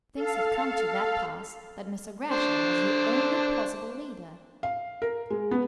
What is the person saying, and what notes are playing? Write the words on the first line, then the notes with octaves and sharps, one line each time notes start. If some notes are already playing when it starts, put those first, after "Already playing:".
Things had come to that pass that Mr. Gresham was the only possible leader.
A4 F5
D3 D4 C5
F5
A#4
G#3
B3